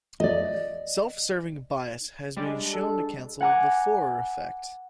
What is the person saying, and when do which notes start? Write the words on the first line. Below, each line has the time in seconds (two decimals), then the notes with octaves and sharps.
Self-serving bias has been shown to cancel the Forer effect.
0.20 D5 D#5
2.37 G3 G#3 D4
2.73 A4
3.41 F#5 G#5 A#5 D6 F#6